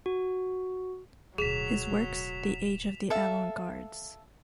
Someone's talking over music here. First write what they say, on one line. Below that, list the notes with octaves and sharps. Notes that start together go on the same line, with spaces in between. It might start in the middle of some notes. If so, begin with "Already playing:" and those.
His works ""The age of the avant-gardes.
F#4
D1 B2 F#3 G#4 B6 E7 F7
A4 E5 F5